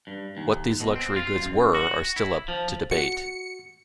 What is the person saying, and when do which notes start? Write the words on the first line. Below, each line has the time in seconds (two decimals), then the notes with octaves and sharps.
What these luxury goods were are still up to debate.
0.07 G2
0.37 D#2
0.80 B2
0.96 C4
1.16 F4
1.39 F#2
1.75 F#4
2.16 E4
2.48 F3
2.91 F#4 C#7